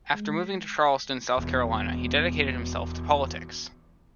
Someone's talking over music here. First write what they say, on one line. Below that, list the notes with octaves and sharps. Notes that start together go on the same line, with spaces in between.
After moving to Charleston, South Carolina, he dedicated himself to politics.
G#3
B6
E1 E2 B2